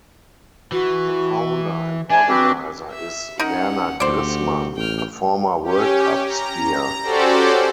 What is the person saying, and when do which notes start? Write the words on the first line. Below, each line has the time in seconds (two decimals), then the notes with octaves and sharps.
The founder and organiser is Werner Grissmann, a former World Cup skier.
0.72 E3 F#4
2.10 D4 E5 G#5
2.28 C4 F#4 B4 D6
2.91 E5
3.39 C#4 D#4 A#4 F#5
4.00 D2 F#4 G4 C5 D5
4.77 A1 G5 F6
5.64 C#4 G4
6.26 A#5
7.02 C#4 F#4 G4 A4 C5 D5